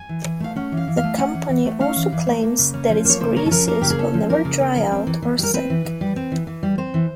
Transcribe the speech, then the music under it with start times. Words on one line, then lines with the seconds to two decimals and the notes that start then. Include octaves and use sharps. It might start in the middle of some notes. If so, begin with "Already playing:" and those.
The company also claims that its greases will never dry out or set.
Already playing: G#5
0.09 E3
0.24 E3
0.40 A3 F5
0.56 C#4 F#5
0.72 E3
0.77 F5
0.87 E3
0.97 F5
1.03 A3
1.18 C#4 F#5
1.34 E3
1.49 E3
1.65 A3
1.80 C#4 F5
1.96 E3
2.12 E3
2.27 A3
2.43 A#3
2.59 C#3
2.74 C#4
2.89 F3
3.05 A#3 C#5
3.20 C#3 C5
3.36 C#4 A#4
3.46 A4
3.51 F3 A#4
3.68 A#3 A#4
3.81 C#3 G4
3.90 G#4
3.99 C#4 A4
4.14 F3
4.29 A#3 A#4
4.45 C#3
4.61 C#4
4.76 F3
4.92 C4
5.07 E3
5.22 E3
5.39 G3 A#4
5.54 C4 B4
5.70 E3
5.85 E3
6.01 G3
6.16 C4
6.32 E3
6.47 E3
6.63 G3
6.78 C4 C5
6.94 E3